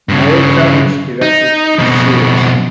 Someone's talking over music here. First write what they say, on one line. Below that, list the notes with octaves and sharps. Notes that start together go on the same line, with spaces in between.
Mario Camus directed the series.
G2 C#3
D#4
F2 B2